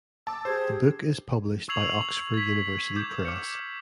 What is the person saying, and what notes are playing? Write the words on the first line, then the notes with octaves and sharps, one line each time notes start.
The book is published by Oxford University Press.
A5 D6 E6
G4 G#4 C5 G#6
C#6 E6 G#6 C7 F7 F#7
G#6 B6
D6 G6 G#6
D6 F6 C#7